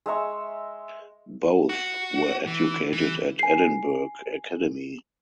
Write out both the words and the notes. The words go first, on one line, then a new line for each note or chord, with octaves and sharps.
Both were educated at Edinburgh Academy.
G#3 E5 A#5 C#6
F#4
E3
E3
G#5 C7